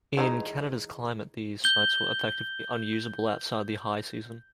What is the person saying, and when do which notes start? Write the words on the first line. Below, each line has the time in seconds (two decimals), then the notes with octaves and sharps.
In Canada's climate, these sites were effectively unusable outside the high season.
0.17 E3 G#3 D#4
1.64 G6 G7